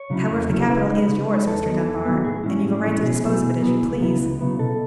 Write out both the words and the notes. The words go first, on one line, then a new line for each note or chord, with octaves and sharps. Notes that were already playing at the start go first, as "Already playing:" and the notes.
However, the capital is yours, Mr. Dunbar; and you've a right to dispose of it as you please.
Already playing: C#5
C#3 F#3 C#4 E4
E2
C#3 F#3 C#4 E4
A4
C#3 B4
G#3 D#4
C#3
G#3 D#4
E2 A4
D#3 F#3 B3
E2
D#3 F#3 B3
A2 G#4
E3 G#3 C#4 E4
A2
E3 G#3 C#4 E4
B2 G#4
F#3 B3 E4
B2
F#3 B3 E4
C#2
C#3 F#3 B3 E4
C#2
C#3 F#3 B3 E4
B2 A4